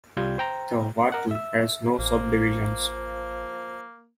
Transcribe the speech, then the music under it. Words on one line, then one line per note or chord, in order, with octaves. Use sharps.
The vatu has no subdivisions.
C2 G3 F4 G6 G#6
C5 G5 A#5
A#4 F#5
E5 E6
A1 F3 A#3